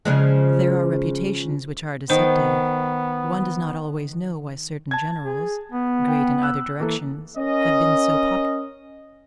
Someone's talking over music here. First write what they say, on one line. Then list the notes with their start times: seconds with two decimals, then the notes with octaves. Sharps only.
There are reputations which are deceptive; one does not always know why certain generals, great in other directions, have been so popular.
0.05 C#3 F3 G#3
2.10 D#3 B3 C5
4.91 A5 G#6
5.25 G#4
5.72 B3
6.08 G5
6.42 E6 F#6
6.80 E3 A#3 A4
7.38 C#4 A#4 D#5